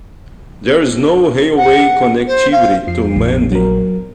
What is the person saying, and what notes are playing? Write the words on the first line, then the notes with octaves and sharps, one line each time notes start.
There is no railway connectivity to Mandi.
F#5
C5
F5
F2 F3 C7
A#1
F#3 A#4